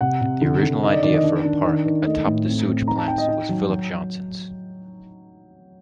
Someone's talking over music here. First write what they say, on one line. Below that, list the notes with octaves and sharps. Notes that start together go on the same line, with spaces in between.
The original idea for a park atop the sewage plant was Phillip Johnson's.
C3 F#5
C3
D3
D3
D#4 D#5
D5
D#3 D5
D#5
D4 D5
D4
D#3
D#3
A3 D#5
A2
C4
C4
D#4 A#5
A5
D#4 G5
D#5
D#4 G5
F#3
F#3